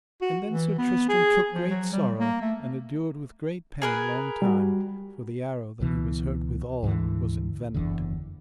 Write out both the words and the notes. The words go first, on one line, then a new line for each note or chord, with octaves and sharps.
And then Sir Tristram took great sorrow, and endured with great pain long time, for the arrow that he was hurt withal was envenomed.
F#4
E3
B3
G#4
F3
F#3
G3
A#3
A3
G#4 A#4 B4
G3 F#4
C#2 B2 E3
D2 G#2 D3 E3
F#1 E2 D3